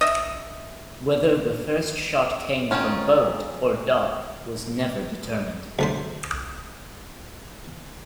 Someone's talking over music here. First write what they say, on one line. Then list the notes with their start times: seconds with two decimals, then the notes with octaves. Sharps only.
Whether the first shot came from boat or dock was never determined.
0.01 D#5 E5
2.71 D#3 G#3 C4 C#4 F4
5.79 D2 A3 C5